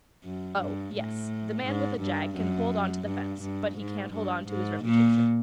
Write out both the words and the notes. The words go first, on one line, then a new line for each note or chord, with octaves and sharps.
Oh, yes, the man with a jag can hold on to the fence, but he can't hold on to his reputation.
F#2
G2
A2
G#2
G2
F#2
G2
G2
G#2
G2
G#2
A#2